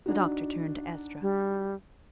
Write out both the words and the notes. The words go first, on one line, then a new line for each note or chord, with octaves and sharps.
The doctor turned to Estra.
D4 D#4 F#4
G3